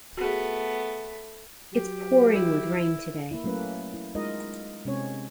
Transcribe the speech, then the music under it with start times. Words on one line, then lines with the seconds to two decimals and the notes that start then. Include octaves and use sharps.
It's pouring with rain today.
0.17 A3 B3 F#4 G#4
1.73 F#3 G4
2.33 E4
3.31 A#3 E4
3.44 F#3 A3 A#3 C#4 B4
3.94 E4
4.15 G#3 D#4 F4 A#4 D#5
4.85 C3 G#3 C4 C#4 C#5